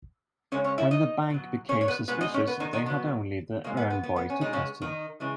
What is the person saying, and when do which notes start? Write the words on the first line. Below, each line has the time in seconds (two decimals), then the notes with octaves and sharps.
When the bank became suspicious, they had only the errand boy to question.
0.52 C#3 G#3 C#4 C#5
0.64 C#4 C#5
0.78 E4 E5
0.91 D#4 D#5
1.30 B2 F#3
1.69 C#4 C#5
1.81 C#5
1.88 B3 B4
2.08 B2 G#3 B3 B4
2.21 D#4 D#5
2.34 C#4 C#5
2.47 B3 B4
2.60 D#3 D#4
2.73 D#3 D#4
2.86 B2 F#3 B3
3.64 B2 G#3 A#3
3.77 B3
3.90 B3
4.03 B3
4.16 B3
4.30 C#4
4.41 B2 G#3 D#4
4.53 C#3 C#4
4.82 D#3 D#4
5.20 C#3 E3 G#3